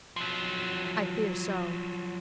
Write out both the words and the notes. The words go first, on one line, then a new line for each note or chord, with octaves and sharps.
"I fear so."
F3 F#3